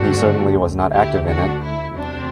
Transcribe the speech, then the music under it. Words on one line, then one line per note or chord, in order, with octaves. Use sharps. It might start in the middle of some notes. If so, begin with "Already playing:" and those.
He certainly was not active in it.
Already playing: G2 D3 A3 C4 D4 F#4
D2 D3 A3
E4 G4
D4 F#4
E4
E2 C3 F#3 A3 C4 D4